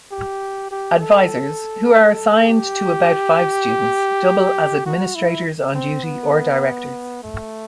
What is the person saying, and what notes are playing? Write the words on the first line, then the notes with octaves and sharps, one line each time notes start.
Advisors, who are assigned to about five students, double as administrators-on-duty or directors.
G4
G4
A4
G4
F#4
E4
C4
B3
A3